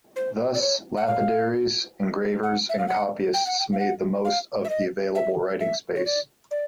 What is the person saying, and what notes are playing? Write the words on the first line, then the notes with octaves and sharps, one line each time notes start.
Thus, lapidaries, engravers and copyists made the most of the available writing space.
C5
D5
C#5
F#5
F5
F#5
E5
F5
F#5
G5
F#5
G5
F5
F#5
F5
E5
D#5
E5
E5
C#5
D5
D5